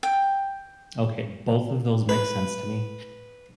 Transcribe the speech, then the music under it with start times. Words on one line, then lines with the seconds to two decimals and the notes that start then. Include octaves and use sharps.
Okay, both of those make sense to me
0.03 G5
2.09 B4